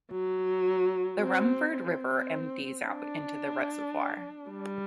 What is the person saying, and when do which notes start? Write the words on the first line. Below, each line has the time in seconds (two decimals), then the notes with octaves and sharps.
The Rumford River empties out into the reservoir.
0.11 F#3
1.20 C4
1.76 C4
2.86 D4
4.50 G3